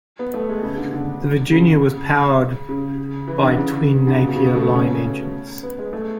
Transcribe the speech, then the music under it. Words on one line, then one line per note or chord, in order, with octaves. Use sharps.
The Virginia was powered by twin Napier Lion engines.
B3
A3
G#3
C#3
D3
D3
C#3
C#3
E3
D3
C#3
D3
C#3
B2
C#3
B2
A3
B3
C#4
B3
G#3
A3